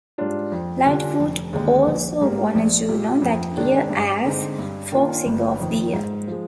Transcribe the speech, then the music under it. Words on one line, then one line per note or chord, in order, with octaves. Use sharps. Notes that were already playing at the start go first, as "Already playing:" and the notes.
Lightfoot also won a Juno that year as "Folk Singer of the Year".
G#2 G3 D4 F4
F2
D3 G3 D4 F4
F1
D#2 D3 G#3
A#1
G#2 G3 A#3
A#1
A#2 G3
F2
D#3 G#3 D4
G2
D3 G#3 C4 D#4
G2
D#3 A#3 D4 F4
G1
F2 D#3
G#2
F3 G#3